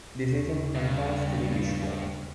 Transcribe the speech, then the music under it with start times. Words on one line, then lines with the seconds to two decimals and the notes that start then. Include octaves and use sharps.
This is in contrast to the wishbone.
0.22 D#2 C#3
0.75 G2